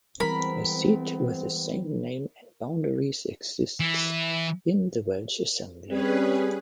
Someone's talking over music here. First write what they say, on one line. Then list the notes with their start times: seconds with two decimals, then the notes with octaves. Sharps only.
A seat with the same name and boundaries exists in the Welsh Assembly.
0.20 E3 G3 G#3 B3 C4 A#4 B5
3.80 E3
5.89 G3 C4 C#4 G#4 B4